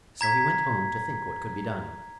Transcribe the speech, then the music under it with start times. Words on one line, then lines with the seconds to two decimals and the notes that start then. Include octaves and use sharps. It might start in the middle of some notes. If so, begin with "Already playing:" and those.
So he went home to think what could be done.
0.21 A#5 G#6 B6